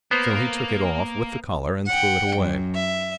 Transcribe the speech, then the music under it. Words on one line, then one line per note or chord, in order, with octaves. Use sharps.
So he took it off with the collar and threw it away.
A#3 B3 A#4 C5
F#5 G5
F#2
E5